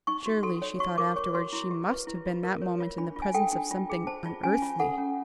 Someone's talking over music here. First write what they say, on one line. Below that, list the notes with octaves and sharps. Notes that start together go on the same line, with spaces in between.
Surely, she thought afterwards, she must have been that moment in the presence of something unearthly!
D#4 C#6
F#4
A4 C6
C#5
F#4 C#6
A#4 D6
C#5 C#6
F#4 C6
E4
G4
B4
E4
F4
A#4
C#5
F4
D4 B5
F4
G#5
A4 G5
D4
F4
G#4
C5 A5
F4
C#4 G#5
F4
A4 F#5
C#4